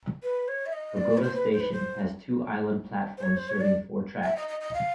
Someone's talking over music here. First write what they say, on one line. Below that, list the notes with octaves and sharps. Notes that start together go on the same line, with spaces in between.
Kogota Station has two island platforms serving four tracks.
B4
C#5
E5
D#5
D5
B4
C5
B4
C5
B4
C5
C5
C#5
C5
C#5
D5
E5
D#5
D#5
D#5
F5